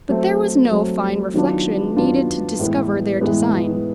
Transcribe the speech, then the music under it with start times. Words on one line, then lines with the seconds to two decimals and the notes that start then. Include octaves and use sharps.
But there was no fine reflection needed to discover their design.
0.09 F#3 A3 C4
0.71 F#3 A3 C4
1.34 D#3 F#3 B3 D4 F4
1.96 D#3 F#3 B3 D4 F4
2.59 A2 E3 G#3 B3
3.21 A2 E3 G#3 B3